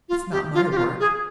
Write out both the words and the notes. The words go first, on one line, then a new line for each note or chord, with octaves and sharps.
It's not my work.
F4
G4
F4
G4
F4
G#4